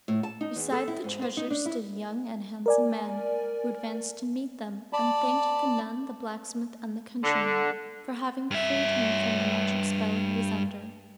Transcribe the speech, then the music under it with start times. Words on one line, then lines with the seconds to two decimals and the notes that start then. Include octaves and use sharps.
Beside the treasure stood a young and handsome man, who advanced to meet, them, and thanked the nun, the blacksmith, and the countryman, for having freed him from the magic spell he was under.
0.08 A2
0.23 A5
0.41 D#4
0.56 E2
0.72 A4
0.88 E4
1.04 G#2
1.22 C5
1.37 D#4
1.50 D4
1.66 E4
2.66 A#4 D5 G#5
4.93 D5 A5 B5
7.24 D3
8.51 G2 E5